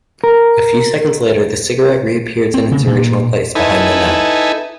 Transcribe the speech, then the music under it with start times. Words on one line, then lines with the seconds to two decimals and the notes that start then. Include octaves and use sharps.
A few seconds later the cigarette re-appears in its original place, behind the nut.
0.24 A#4
2.54 C4
2.71 C#3
2.87 A#2
3.55 D#4 E4 A4 B4 G#5